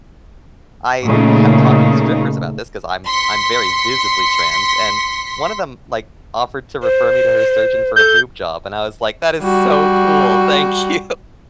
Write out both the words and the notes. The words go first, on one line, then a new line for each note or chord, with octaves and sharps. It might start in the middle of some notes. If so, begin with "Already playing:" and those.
I have talked with strippers about this 'cause I'm I'm very visibly trans, and one of them, like, offered to refer me to her surgeon for a boob job, and I was, like, "That is so cool. Thank you!"
A#2 C#3 A3 D#4
C6 B6 C#7
C5
A4 G6
G3 F#4